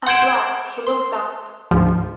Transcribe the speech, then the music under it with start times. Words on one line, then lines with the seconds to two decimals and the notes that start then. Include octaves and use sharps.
At last he looked up.
0.06 F#5 C6 G6 G#6 D7 E7
0.87 C6
1.71 D2 G#2 F3